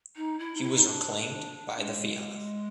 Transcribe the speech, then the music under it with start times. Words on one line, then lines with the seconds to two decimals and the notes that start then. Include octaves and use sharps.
He was reclaimed by the Fianna.
0.16 D#4
0.39 E4
0.57 D#4
0.63 E4
0.74 D#4
0.86 D4
1.80 G#3